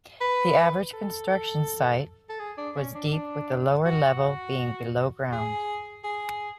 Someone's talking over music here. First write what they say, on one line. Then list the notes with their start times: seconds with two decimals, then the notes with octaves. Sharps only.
The average construction site was deep, with the lower level being below ground.
0.21 B4
0.93 A4
2.29 A4
2.39 G#4
2.57 D4
2.76 C#4
2.94 D4
3.12 D4
3.85 F#4
5.32 G#4
6.04 G#4